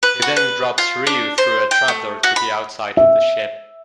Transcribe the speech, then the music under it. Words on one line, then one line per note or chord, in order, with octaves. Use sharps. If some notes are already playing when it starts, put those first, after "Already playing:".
He then drops Ryu through a trap door to the outside of the ship.
B4
F#4
B4
F4
D4
C5
G5
A3
F#4
B5
E5